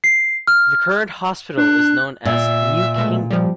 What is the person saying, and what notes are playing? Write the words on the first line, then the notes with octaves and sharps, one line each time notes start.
The current hospital is known as the "New Kingdom".
C7
F6
D4 F#6
A#2 E5
B2 G#3 A3
F3 G3